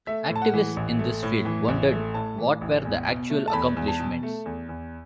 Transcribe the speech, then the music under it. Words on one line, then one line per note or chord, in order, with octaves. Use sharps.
Activists in this field wondered what were the actual accomplishments.
A3 E5
A2
A5
F#5
E3
A1
A3
A2
E3
A1
A3
A2 A5
E3
A1
E2
B2
A3
A5
E2 B5
E2
A5
B2
A3
E2
E2